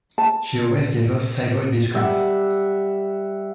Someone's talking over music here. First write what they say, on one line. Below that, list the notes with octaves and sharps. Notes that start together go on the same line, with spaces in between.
She always gave us Savoy biscuits.
A5
G3 E5 F#5